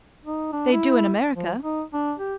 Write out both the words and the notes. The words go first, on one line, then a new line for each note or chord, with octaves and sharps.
"They do in America."
D#4
D4
E4
F3
D#4
D4
G4